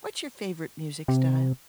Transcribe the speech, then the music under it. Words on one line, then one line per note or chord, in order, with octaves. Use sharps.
What's your favorite music style?
C3